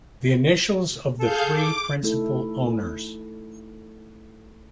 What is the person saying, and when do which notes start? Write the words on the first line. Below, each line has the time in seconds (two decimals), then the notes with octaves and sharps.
The Initials of the Three principal owners.
1.20 G#4 A4 F5 G6
1.50 D6
2.03 A3 D#4 E4 A4